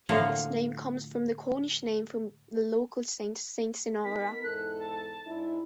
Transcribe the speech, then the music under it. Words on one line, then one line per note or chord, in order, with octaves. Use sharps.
Its name comes from the Cornish name for the local saint, Saint Senara.
A2 D3 F3 A#3 F5
B3 D#4 A#4 B6
E2 G#2 A4 F#6
A5
G#2 D4 E4